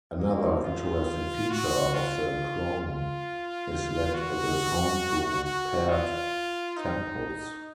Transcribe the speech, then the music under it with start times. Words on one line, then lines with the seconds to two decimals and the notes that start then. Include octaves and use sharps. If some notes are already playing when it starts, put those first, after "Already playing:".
Another interesting feature of the khlong is that it is home to paired temples.
0.19 A#3
0.63 F4
1.50 F#4
1.94 F4
2.81 F4
4.14 F#4
5.45 F#4
5.89 F4
6.77 D#4